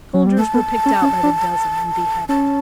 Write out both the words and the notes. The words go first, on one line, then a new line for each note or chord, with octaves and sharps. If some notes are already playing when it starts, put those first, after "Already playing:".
Soldiers were picked out by the dozen and beheaded.
F#3
G3
A3 A5
B3
C#4
C#4
D4
C#4 A5